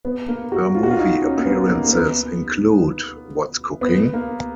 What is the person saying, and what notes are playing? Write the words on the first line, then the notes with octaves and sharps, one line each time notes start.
Her movie appearances include What's Cooking?
B3
A#3
F#4
F4
F#4
F4
D#4
C#4
A#3
B3
A#3
A#3
B3
B3
A#3